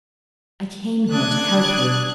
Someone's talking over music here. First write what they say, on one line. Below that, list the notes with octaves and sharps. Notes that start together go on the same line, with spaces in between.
I came here to help you.
D4 D#6 F#6 G#6